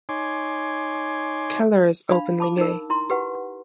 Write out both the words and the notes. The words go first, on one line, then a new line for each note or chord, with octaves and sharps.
Keller is openly gay.
D#4 C#5 G#5 C6 D6
D4 F5 B5
A5 B5 D6
D#4 A#4
E4 A#5 C6
G4 B4 F#5